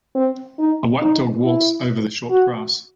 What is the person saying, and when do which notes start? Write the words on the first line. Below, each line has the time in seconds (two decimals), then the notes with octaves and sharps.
A white dog walks over the short grass.
0.15 C4
0.59 D#4
1.02 D#4
1.44 E4
2.30 F#4